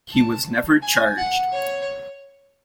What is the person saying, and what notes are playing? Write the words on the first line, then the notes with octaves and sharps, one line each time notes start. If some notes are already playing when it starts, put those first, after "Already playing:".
He was never charged.
A5
G#5
F#5
C#5